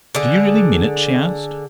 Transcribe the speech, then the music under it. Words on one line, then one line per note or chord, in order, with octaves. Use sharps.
"Do you really mean it?" she asked.
D3 G#4